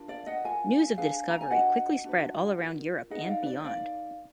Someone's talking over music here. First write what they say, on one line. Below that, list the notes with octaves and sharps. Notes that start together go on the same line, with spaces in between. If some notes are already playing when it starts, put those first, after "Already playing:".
News of the discovery quickly spread all around Europe and beyond.
Already playing: D4 F4 A#4
D5 F5
D#5 F#5
F4 A#4 F5 G#5
D4 G#4 B4 F5 G#5
A#5
G#5
D4 F#4 B4 D#5 F#5
D4 F#4 B4
F4 A#4
D#4 G#4 B4 D#5 F#5
F#5
D5 F5
B4
D5
D#4 A#4 D5 F5